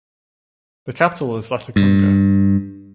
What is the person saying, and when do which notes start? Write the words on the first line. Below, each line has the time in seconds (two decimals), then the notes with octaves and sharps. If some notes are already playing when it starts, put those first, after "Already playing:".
The capital is Latacunga.
1.76 G2